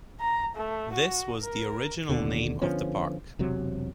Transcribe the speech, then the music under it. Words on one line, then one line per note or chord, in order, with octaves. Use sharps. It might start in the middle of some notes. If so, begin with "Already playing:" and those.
This was the original name of the park.
A#5
A3
F#4
A#4
D#2 B2 D3
D3 F3 B3 C#4
E1 C3 F#3